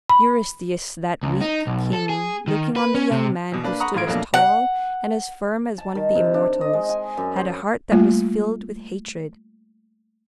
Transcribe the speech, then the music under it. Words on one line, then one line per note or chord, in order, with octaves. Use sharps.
Eurystheus, that weak king, looking on the young man who stood as tall and as firm as one of the immortals, had a heart that was filled with hatred.
B5
C#2
D#4
B1
A4
G#4
D#3
B4
C#4
C3
E2 B2
A#3 D4 B4
F#5 A#5 B5 C#6 D#6
A1 A2 F5 C6 G#6 D7
F2 B2 F#3 A3 A#3 D4
F#5
A5
D#3
C3
D4
D#5
G#3
G#5
F#2
C5
G3 A3 A#3 F4